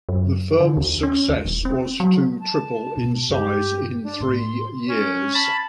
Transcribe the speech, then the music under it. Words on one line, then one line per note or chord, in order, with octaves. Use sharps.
The firm's success was to triple in size in three years.
F#2
D3
D#2
C#4
D#2
E1
C4
F#3
A5
B2
G2 G4
D4
A2 C6
C#4
A5 B5